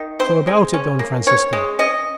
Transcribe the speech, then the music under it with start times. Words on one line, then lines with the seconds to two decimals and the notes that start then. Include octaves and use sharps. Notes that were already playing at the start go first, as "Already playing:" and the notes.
So about it, Don Francisco.
Already playing: D#3
0.19 C4 C5
0.47 G#3
0.74 C#4
0.99 A#3
1.27 C#4 C#5
1.53 G#3
1.79 C#4 D#5